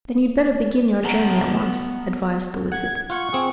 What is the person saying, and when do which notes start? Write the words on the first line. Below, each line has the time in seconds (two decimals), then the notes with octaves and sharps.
"Then you'd better begin your journey at once," advised the Wizard.
1.04 B3 A5 A#5
2.72 F#5 G#6
3.10 F4 F#5 C#6
3.33 C4 G#4